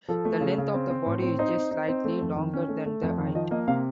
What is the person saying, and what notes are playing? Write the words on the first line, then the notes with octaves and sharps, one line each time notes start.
The length of the body is just slightly longer than the height.
F3 A4
A3
C#3
C#3
C4
C4
A2
C4
D#4 C5
C4
D#4
C4
A3
F2
D#3
C#4
A3
A3
F2
D#3
F3 D#5
A#3 D#5
C3 F5